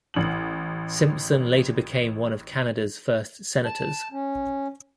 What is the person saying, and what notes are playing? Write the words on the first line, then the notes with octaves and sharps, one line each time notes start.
Simpson later became one of Canada's first senators.
A1 F#7
A5
C#4